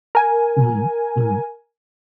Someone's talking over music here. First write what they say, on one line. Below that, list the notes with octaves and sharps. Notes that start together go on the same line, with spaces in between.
Mhm. Mhm.
A#4 G#5